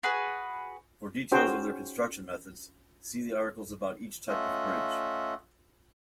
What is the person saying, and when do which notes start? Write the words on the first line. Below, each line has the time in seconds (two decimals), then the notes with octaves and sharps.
For details of their construction methods, see the articles about each type of bridge.
0.03 F#4 G#4 B4
1.32 C#4 D#4 F#4 G#4 C5 G5
4.29 A3 C#4 F4 D#5 E5 F#5